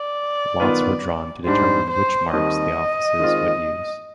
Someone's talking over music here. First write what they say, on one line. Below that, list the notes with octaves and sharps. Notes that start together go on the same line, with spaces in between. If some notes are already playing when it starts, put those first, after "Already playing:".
Lots were drawn to determine which marks the offices would use.
Already playing: D5
D#3 B3 F4 B4
G#2 G3 D4 C5
C5
D#2 D#3 G3 C4 D#5
D#3 G#3 C4 F4